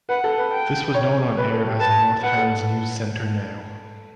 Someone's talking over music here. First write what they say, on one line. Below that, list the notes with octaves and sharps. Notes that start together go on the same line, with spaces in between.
This was known on-air as Northand's NewsCenter Now.
B4 F#5
A4
B4
G5
C#5
B4
A4
G4
B4 A5
B4 F#5
A4